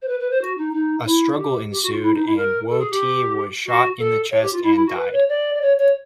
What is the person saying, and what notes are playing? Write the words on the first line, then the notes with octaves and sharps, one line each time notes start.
A struggle ensued and Woah-Tee was shot in the chest and died.
C5
B4
B4
C5
F#4
D#4
D#4
E4
F#4
G4
G4
F#4
F4
E4
D#4
E4
A#4
A4
G#4
G4
F#4
A4
C#5
G4
F4
E4
E4
F#4
B4
C#5
D5
D5
C#5
C#5